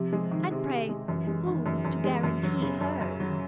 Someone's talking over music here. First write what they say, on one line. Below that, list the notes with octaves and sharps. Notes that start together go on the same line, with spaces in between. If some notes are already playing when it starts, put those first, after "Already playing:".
"And pray who is to guarantee hers?"
Already playing: C3 F3
G#3
D#3
C3
C3
G#3
F#2 E3
G#3
D#3
F#2
F#2
G#3
F#2
F#3
C#3
F#2
F#2
F#3
D#3